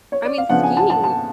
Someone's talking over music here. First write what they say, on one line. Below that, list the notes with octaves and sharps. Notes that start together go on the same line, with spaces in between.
I mean, skiing
C#5
D5
F5
F2 C#3 F3 B3 D4 F#5
G#5
A5
A5
A5